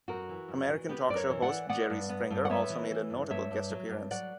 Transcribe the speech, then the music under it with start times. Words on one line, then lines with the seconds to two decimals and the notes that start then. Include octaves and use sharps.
American talk show host Jerry Springer also made a notable guest appearance.
0.08 F#2 F#4 A#4
0.29 E3
0.48 F#2
0.68 E3
0.89 B3 G4 B4
1.09 F#2 D5
1.15 A#4 C#5
1.30 E3
1.42 D5 F#5
1.49 E3
1.69 B3 D5 F#5
1.90 G2
2.09 B3
2.31 G2
2.45 F#5
2.50 B3 C#5 E5
2.70 E3
2.90 E3
3.10 G2
3.30 G2 C#5 E5
3.51 G2
3.70 F#3
3.90 G2
4.11 F#3 D5 F#5